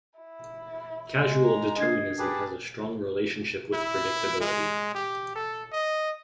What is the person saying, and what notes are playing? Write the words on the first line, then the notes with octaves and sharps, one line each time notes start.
Causal determinism has a strong relationship with predictability.
E4
G#3
A#5
D4 D#5 G#6 C7
G4 G#4 B4 A5
E4
G#3
G4
A4
D#5